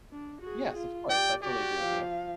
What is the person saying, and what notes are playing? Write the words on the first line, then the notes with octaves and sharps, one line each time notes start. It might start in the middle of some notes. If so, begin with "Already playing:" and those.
Yes, of course, I fully agree with you.
D4
F#4 G#4
F4
G4 D5 G5
F#4 G4 D5
F3 F5